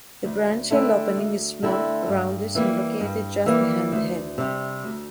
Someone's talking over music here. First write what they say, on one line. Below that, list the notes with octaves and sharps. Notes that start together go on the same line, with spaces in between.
The branchial opening is small, roundish and located just behind the head.
D2
D3 A3 C4 E4
D2
D3 A3 C4 E4
G2
E3 G3 A#3
G2
E3 G3 A#3
D2
C3 G3
D2